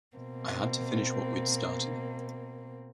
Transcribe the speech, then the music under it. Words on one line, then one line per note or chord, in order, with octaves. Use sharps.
I had to finish what we'd started.
B2 A#3 C4